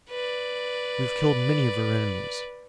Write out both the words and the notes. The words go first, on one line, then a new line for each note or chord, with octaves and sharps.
We have killed many of our enemies.
B4 D5